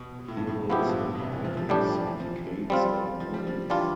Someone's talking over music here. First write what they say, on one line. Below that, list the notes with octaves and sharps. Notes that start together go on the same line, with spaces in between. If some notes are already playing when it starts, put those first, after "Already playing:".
Heroes and Icons, Decades, and Movies!
Already playing: B2
B2
A2
G2
A2
B2 F3 B3 E4 G4
A2
G2
A2
B2
C3
E3
F3
F3
A2 E3 G3 D4 G4
F3
F3
E3
F3
F3 G3 C4 F4
F3
G3
F3
E3 G3 D4 F4